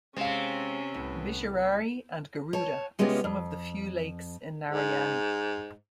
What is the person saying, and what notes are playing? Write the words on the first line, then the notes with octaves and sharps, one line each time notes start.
Bisharari and Garuda are some of the few lakes in Narayani.
C3 G#3 C4 C#4 F5
C2 A2 B3
C#5 A5
C3 G#3 B3 C#4 F4 G4
F2
G#2